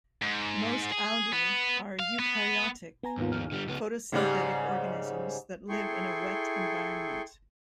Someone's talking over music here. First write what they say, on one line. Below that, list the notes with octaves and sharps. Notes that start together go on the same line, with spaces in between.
Most algae are eukaryotic, photosynthetic organisms that live in a wet environment.
G#2
G#4
B3
F5
B3
B3 G#5 A#5
D#2 G#2 B3 F4
D#2 F3 F6
D3 G3
C#2 B3
G#2 C#3 G3
E4 G#4 A4 G5 C6 C#6